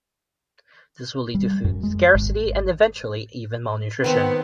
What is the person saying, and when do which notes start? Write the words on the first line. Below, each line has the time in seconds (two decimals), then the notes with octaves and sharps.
This will lead to food scarcity and eventually even malnutrition.
1.35 G3
1.64 F#2
1.83 G#3
2.15 G#1
4.04 D#3 B3 C4 F#5